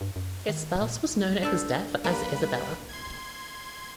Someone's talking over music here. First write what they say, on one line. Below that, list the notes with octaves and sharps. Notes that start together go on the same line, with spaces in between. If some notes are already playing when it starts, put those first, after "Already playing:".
His spouse was known at his death as Isabella.
G2
F#2
D#3
A#2
D4 A4 C5
G3 A#3 B4 B5
C6 G#6